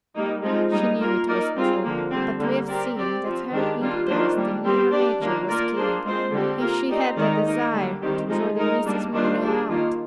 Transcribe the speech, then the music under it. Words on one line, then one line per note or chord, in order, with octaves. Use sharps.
She knew it was true, but we have seen that her interest in human nature was keen, and she had a desire to draw the Misses Molyneux out.
G3 A#3 D#4
F3 G#3 C4 D#4
G3 A#3 D#4
A#3 F4 A#4
A#3 D#4 A#4 D5
G3 C4 F4 G#4
D3 F3 A#3
D3 G3 C4
D3 G3 A#3
C4 G4 A#4 D5
C4 G4 D5
F3 C4 F4
D#3 G#3 D4 G4
G3 A#3 D4 F4
D#3 A#3 D4 F4 C5
G3 A#3 D4
G3 C4 G4 C5
G3 D4 G4 D5
D#3 A#3 D4 F4
A#3 F4 A#4 D5
A#3 D4 G#4 C5
G#3 C4 F4 C5
D3 G3 C4 G4
A#3 F4 A#4
C4 D#4 G4 D5
D#3 G#3 D#4 A#4 D5
A#3 D#4 A#4
D3 G3 A#3 D4
D#3 G3 C4 G4
F3 G#3 D#4 G#4
G#3 D#4 A#4
G3 A#3 D4
D#3 G3 D4 F4 C5
G3 D4 G#4
D#3 A#3 F4